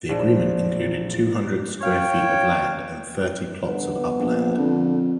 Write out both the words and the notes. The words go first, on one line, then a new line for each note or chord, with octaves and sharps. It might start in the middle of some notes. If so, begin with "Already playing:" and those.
The agreement included two-hundred square feet of land and thirty plots of upland.
A#1
C#4 C#5 F5 G5
G1 B3
A#1
F2 D3